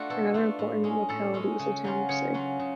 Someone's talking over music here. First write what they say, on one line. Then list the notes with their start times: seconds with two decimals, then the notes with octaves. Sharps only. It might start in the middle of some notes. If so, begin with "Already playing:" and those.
Another important locality is the town of Sig.
Already playing: A3 D4 F4 F#4
0.10 B2 A4
0.34 A3 D4 F4
0.59 A2
0.84 G#3 C#4
1.09 A2 A4
1.34 G#3 C#4
1.59 C#3
1.84 F#3 C#4 F4
2.09 C#3 C#5
2.34 F#3 C#4 F4
2.59 C#3